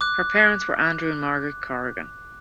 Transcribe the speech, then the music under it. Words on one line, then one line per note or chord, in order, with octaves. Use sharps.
Her parents were Andrew and Margaret Corrigan.
D6 F#6